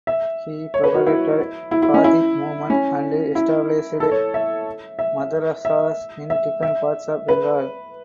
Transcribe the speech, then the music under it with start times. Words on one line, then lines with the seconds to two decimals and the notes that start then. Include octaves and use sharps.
He propagated Hadith movement and established Madrasahs in different parts of Bengal.
0.07 E5
0.74 C#5
0.84 B4
0.95 F#4
1.06 E4
1.71 E4
1.82 E4
1.94 C#4
2.04 E4
2.70 C#4
3.35 E4
4.00 A4
4.11 C#5
4.34 E5
4.99 E5
5.65 E5
6.30 E5
6.63 E5
7.28 B4